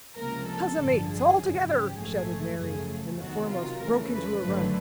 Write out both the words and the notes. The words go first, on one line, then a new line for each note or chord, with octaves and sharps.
"Huzza, mates, all together!" shouted Merry; and the foremost broke into a run.
C#2 C3 F3 A#3 A#4
A4
A1 G2 D3 F3
G#4
G#1 F#2 C#3
G4
A#1 G#2 F3 A3 G#4
F#2 C#3 F3 A3 G#4
E2 C3 D#3 F#3 F#4
F4
F2 C#3 E3 A3 A#4
B4
G#1 G2 D3 F#3 A3